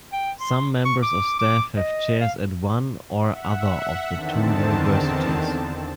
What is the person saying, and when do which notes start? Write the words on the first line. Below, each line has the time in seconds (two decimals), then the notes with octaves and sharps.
Some members of staff have chairs at one or other of the two universities.
0.13 G5
0.40 C6
0.85 C#6
1.03 D6
1.39 D6
1.76 D#5
2.21 F5
3.20 E5 F#5
4.11 E2 D3 D#3 C4 A5